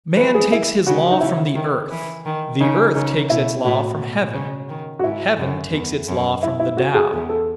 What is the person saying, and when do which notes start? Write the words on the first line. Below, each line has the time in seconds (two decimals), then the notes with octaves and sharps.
Man takes his law from the Earth; the Earth takes its law from Heaven; Heaven takes its law from the Tao.
0.16 E3 B4
0.34 G#4
0.52 E4
0.87 C#3 F#4
1.11 D#4
1.21 C#3 E4
1.55 D#3
1.91 E3
2.26 D#3
2.60 C#3 D#4
2.95 C#3 D#4
3.29 B2 E4
3.65 A2 F#4
3.99 B2
4.34 C#3
4.69 D#3
4.99 F#4
5.04 G#2 E4
5.39 F#2
5.73 E2
6.08 F#2
6.43 E4
6.60 E4
6.77 F#4
6.94 G#4
7.12 E2 G#4
7.29 A4